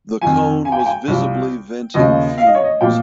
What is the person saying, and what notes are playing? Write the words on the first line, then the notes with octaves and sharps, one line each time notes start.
The cone was visibly venting fumes.
F2 D#3 G#5
G#5
G5
G#5
G5
C2 C3 F3
D#2 C#3 F3 D#5
F5
D#5
C#5
D#5
A#2 F3 G5